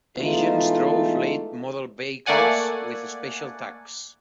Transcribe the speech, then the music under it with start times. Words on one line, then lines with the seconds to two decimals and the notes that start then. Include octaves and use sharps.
Agents drove late model vehicles with special tags.
0.18 E3 G#3 A3 B3 D#4 F4
2.26 A3 A#3 D5 F#5 G#5